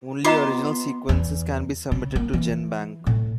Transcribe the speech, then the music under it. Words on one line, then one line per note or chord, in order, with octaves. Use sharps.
Only original sequences can be submitted to GenBank.
B3 F4 D#5 A#5 C6 D6
E2
C#3
A#3
E3
A2